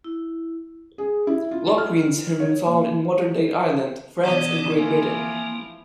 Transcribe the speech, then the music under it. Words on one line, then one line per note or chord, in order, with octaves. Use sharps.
Lock rings have been found in modern-day Ireland, France, and Great Britain.
E4
G#4
E4
F4
F6
C#5
A#2
B2 E3 D4 D5 D#5
E3 F3 A#3 C4 E4 F4 G#5